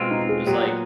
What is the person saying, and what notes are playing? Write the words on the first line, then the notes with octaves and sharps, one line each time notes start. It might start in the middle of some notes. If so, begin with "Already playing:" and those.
it was, like
Already playing: B2 G#3 C4 F4
D#4
G#4
A#2 F#3 B3 G4